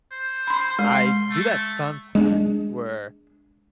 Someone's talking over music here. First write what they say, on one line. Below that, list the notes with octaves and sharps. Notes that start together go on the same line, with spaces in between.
I do that sometimes where
C5
B5 C6
G#3 C6
A3
G#3 D4